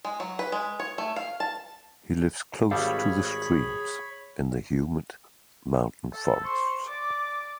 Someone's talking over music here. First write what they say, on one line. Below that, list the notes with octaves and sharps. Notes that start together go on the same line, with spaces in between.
He lives close to the streams, in the humid mountain forests.
G#3
F#3
B4
G#3
C#5
A3
F5
A5
G#1 G3 G#4 A4 C#5 F5 B5
A4
C5 C#6
D5 D6